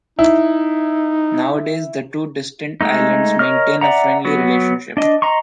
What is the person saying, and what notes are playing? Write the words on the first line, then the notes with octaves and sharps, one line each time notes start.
Nowadays, the two distant islands maintain a friendly relationship.
D#4 E4
G#3 A3 D#4
A#4 C#5 D#5 F6
D5 E5 F#5 A#5
F#3 B3 F#4
D4 D#5
D#5 A#5 C6 C#6